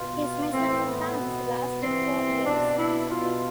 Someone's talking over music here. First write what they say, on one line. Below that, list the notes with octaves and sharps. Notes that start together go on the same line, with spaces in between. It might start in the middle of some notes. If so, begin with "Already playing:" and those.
His mission in France lasted four years.
Already playing: B2 F4
A2 E3 C4
B3
B2
G2 E3 C4
B2 D4
E4
B2 F4